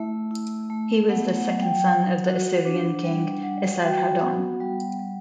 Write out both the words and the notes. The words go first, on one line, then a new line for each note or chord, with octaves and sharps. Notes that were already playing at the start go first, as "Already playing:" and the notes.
He was the second son of the Assyrian King Esarhaddon.
Already playing: A3 E4 E5
E4
A3
B3 F#5
F#5
F#3
G5
G5
F#3 F#5
F#4
D4
G3
G3 F#5
F#4 G5
B3 F#5
G3
G3